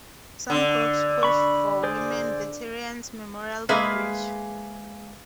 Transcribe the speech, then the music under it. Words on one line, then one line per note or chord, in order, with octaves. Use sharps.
Some groups pushed for "Women Veterans Memorial Bridge".
D3
B5 C#6
G#4 C5 D5
G#3 A#3 G#4 B4 E5 F5